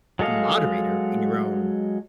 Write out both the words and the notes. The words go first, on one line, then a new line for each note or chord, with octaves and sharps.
a moderator in your own
F#3 G#3 A4 D#5 F5